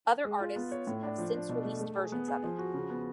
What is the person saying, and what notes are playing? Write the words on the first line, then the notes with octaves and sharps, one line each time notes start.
Other artists have since released versions of it.
G#3
F4
B3
C#5
A2
D4
F3
D4
B2
A3
A3
G#4
B3
G#4
F3
F#4
C#3
B3